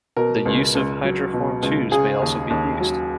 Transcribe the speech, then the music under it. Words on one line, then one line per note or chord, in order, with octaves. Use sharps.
The use of hydroformed tubes may also be used.
B2 A#4
C#2
C#2
F#3
B2
C#2
C#3 G#4
D#2
D#2
F#3